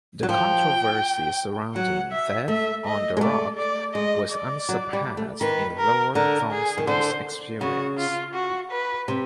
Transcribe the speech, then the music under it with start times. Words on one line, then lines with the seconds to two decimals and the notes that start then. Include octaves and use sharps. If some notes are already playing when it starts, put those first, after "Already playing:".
The controversy surrounding "Death on the Rock" was "unsurpassed" in Lord Thomson's experience.
0.23 F#3
0.29 F3 G5
1.75 F#3 F#5
2.12 E5
2.48 A3 E5
2.85 D#5
3.17 G#3
3.21 A3 D5
3.58 D5
3.94 G#3 D#5
4.31 D5
4.69 F#3
4.93 G3
5.17 A3
5.41 D#3 B4
5.77 A#4
6.15 D3 A#4
6.52 G#4
6.78 D#3
6.87 D3 C5
7.61 C#3 F#4
7.98 F4
8.34 F#4
8.71 B4
9.08 C3